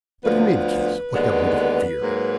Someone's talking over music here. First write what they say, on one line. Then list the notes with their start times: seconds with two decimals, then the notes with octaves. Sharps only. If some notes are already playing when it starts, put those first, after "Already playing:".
But in any case what have we to fear?
0.24 D2 D3 F3 B3 B4
1.13 D#2 D3 G#3 B3
2.02 G#2 F#3 A#3